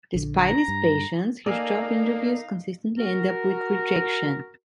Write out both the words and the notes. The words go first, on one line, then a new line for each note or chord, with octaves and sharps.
Despite his patience, his job interviews consistently end up with rejection.
A#1 D3
A#5
G2
A#3 D#4 A4 A#4 D5 F5 G#5
F#4 A#4